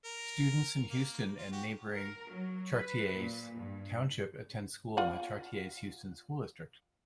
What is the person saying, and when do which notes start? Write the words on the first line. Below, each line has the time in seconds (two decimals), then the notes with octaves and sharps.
Students in Houston and neighboring Chartiers Township attend school in the Chartiers-Houston School District.
0.04 A#4
0.90 A#3
1.38 F4
1.52 F#4 G4
1.95 A#4
2.33 F#3
2.72 B4
3.17 A#2
3.58 G2
4.97 F4 D5 F#5